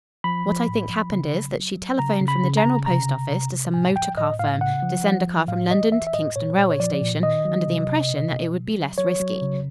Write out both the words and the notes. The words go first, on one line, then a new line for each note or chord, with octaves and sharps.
What I think happened is, that she telephoned from the General Post Office to some motor-car firm to send a car from London to Kingston railway station, under the impression that it would be less risky.
F3 B5
F3
A2
F3
C#3
F#3
F#3
F#3
C#3 A#5
C#3
B5
C#3
A#5
C#3
C3 A#5
C3
C3
C3
A2 G#5
F3 G5
A2 D#5
A2 F5
C#3 F#5
F3
F3
F3
A2 F5
E3 D#5
E3 E5
E5
A2 D#5
A#2 C#5
A#2
C#5
F3 D5
A#2
D#3 D#5
F#3
C3
C3
B2
B2
F#3
F#3
F#3 C#5
F#3
C#3